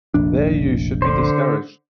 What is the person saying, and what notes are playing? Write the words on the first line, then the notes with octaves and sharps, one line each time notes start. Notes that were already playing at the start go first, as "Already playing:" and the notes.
Their use should be discouraged.
F1 A#1 D4
D3 C5